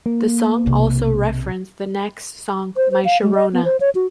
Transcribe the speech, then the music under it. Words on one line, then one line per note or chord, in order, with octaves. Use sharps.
The song also referenced The Knack's song "My Sharona".
A#3
B1 C3
C5
C5
F5
G#3
D#5
B3
C5
C#5
F#4